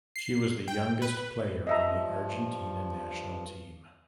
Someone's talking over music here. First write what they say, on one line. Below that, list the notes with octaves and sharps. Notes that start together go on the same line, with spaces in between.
She was the youngest player on the Argentina national team.
C7
G5
B4
G2 F3 D#5 E5 A#5